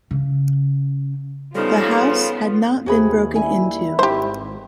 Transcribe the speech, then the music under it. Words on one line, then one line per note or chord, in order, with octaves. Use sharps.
The house had not been broken into.
C#3
C#3 F3 G3 B3 D#4 F4 A4
D#2 C3 F#4 G#4 B5
G3 E4 G#5
G#1 G4 C5